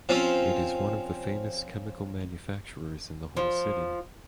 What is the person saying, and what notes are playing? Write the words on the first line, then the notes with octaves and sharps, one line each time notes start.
It is one of the famous Chemical manufacturers in the whole city.
F3 C4 C#4
F3